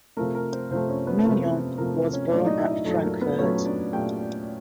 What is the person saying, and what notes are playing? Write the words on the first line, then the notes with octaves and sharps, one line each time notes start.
Mignon was born at Frankfurt.
C3 F3 A3 A#4
A#4
C4 C5
C3 F3 A3 C4 C5
C#4 C#5
B3 B4
A4
C3 F3 A3 A#4
C3 F3 A3 A#4
C4 C5
C#4 C#5
A#2 F#3 A3 D4 D5
D#4 D#5
E4 E5
D#4 D#5
A#2 F#3 A3 A4
A#4
B3 B4
A#2 F#3 A3 C#4 C#5
D4 D5
A#2 F#3 A3 G4 G5